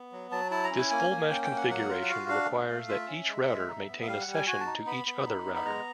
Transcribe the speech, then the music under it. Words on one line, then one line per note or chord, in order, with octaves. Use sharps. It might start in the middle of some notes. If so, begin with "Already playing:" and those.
This full-mesh configuration requires that each router maintain a session to every other router.
Already playing: B3
F#3
F#3 A5
E4 A5
A#5
C#4
G#5
A#3 G#5
A#3
C#4 G5
G5
A#3
F#5
F#3 F#5
F4
F#5
F#4 F5
D4 F5
A3
A3
F4 E5
C#4
G#3
G#3
D#4
B3
E5
G3 F5
F#5
G3
G#5
F#4 G#5
A5
D#4
B3 B5
B3
D#4
B3
B5
G#3 A#5